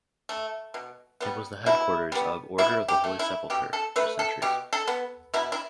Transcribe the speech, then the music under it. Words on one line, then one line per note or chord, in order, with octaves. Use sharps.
It was the headquarters of Order of the Holy Sepulchre for centuries.
A3
B2
G3 B3
B2 E4
G3 B3
B2 E4
G4
A3
E4
B2 G4
A4
A3 B4
A4
B2 G4
A4
B3
B2 E4
E4